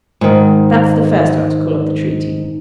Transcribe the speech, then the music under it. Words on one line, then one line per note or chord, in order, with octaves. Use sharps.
That's the first article of the treaty.
G#2 D#3